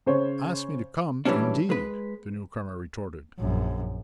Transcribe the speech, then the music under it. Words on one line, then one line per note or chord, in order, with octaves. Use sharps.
"Asked me to come, indeed!" the newcomer retorted.
C#3 C5 C#5
A2 E3 F#3 G3 C#4 D4
G#3 B4
A#1 F#2